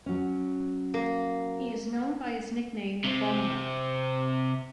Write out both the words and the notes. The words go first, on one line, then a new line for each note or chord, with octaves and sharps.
He is known by his nickname "Bomber".
F#3 C#4
A#3
C3 C4